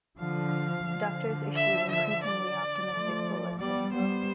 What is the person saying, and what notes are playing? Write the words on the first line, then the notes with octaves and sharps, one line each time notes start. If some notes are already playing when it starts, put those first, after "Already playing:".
Doctors issued increasingly optimistic bulletins.
D3 F3 F5
D3 F3
E5
E5
D5
F3 A3
G3 B3 D5
G3 B3 C5